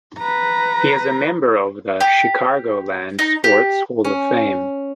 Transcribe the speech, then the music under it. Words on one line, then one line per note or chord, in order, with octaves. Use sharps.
He is a member of the Chicagoland Sports Hall of Fame.
B4 A#5
G4
D#4
G4
C#4